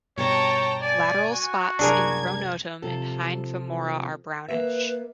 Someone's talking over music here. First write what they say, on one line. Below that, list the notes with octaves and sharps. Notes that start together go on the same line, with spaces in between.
Lateral spots in pronotum and hind femora are brownish.
G2 B2 C#5 G5 A5 A#5
D5 G#5
F#4
F#1 C2 D4 G#4 A#4 G#6
C3 F3 A4
A#3 B4 E5